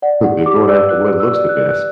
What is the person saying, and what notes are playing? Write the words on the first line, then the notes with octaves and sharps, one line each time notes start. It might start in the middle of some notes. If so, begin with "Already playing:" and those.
They're going after what looks the best.
D5 F#5
G4 F#5
G4 D6
D5 E6
B4 F#6
B4
E6
D5
F#6
D5
F#6